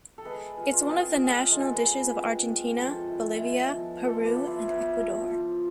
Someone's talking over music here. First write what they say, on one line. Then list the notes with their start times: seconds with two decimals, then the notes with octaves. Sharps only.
It's one of the national dishes of Argentina, Bolivia, Peru and Ecuador.
0.18 A4
0.25 G#3 G#4 B4
0.57 F4 G#4
0.73 F4
0.82 A4
0.89 C4 G#4
1.14 F4
1.20 G#3 G#4
1.51 G#3 F4 A4
1.73 G#4 B4
1.84 F4
2.15 C4
2.47 G#3
2.78 F3 A4 C5
3.09 E4
3.42 B3
3.73 F3
4.04 F3 A4 C5
4.25 B4 D5
4.36 E4
4.47 C5 E5
4.61 F5
4.67 B3 C5 E5
4.99 F3
5.31 F3